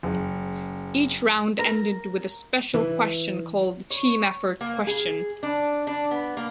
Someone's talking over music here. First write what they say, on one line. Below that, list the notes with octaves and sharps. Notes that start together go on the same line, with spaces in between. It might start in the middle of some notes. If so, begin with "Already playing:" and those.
Each round ended with a special question called the "Team Effort Question".
F#1
A#4
E3
C#5
A#3
G#4
D4
D4
B3
A#3